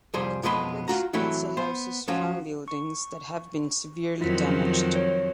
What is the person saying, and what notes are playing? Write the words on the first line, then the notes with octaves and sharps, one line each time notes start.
The complex also houses farm buildings that have been severely damaged.
C2 F2 G3 G#4 C5
B1 F2 G#3 B3 B4 C6
F4 F#4 A#5
E3 F#3 A3 C4 E4 B4
B3 C5
F3 F#3 C#4 F4 F#4
C#6
F2 D#3 F#3 E4 F4 B6
C#5